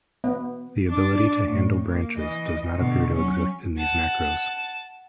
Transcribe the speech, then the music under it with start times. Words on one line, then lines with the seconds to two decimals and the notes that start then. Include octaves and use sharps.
The ability to handle branches does not appear to exist in these macros.
0.24 B3
0.89 D4 D5
1.45 A2
1.88 A#3
2.17 E3 D#5
2.77 B2 D3
3.14 F#3 C#4
3.77 F#5 A5